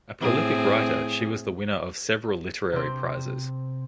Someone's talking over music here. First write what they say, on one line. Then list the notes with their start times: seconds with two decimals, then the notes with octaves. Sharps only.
A prolific writer, she was the winner of several literary prizes.
0.21 A2 C4 G#4
2.72 C3 C4